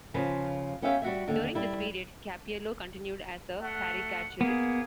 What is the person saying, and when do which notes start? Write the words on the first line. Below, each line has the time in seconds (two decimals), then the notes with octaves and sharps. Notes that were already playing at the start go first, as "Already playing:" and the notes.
During this period, Cappiello continued as a caricaturist.
0.14 C#3 F3 B4 C5
0.82 B3 C#4 G4 E5 F5 G5
1.02 G3 F#4 E5
1.27 D#2 D3
1.55 G3 E4
3.62 A3 F#5
4.41 A#3 B3 G#4